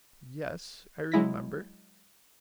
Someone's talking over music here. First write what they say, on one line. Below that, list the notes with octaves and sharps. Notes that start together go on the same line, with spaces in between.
"Yes, I remember."
F#3 G#3 E4 A#6 B6